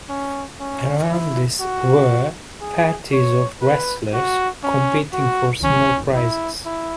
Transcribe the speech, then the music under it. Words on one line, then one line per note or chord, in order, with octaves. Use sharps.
Around this were parties of wrestlers competing for small prizes.
C#4
C#4
E4
F#4
G#4
C#5
B4
F#4
C#4
F#4
C#4
E4
E4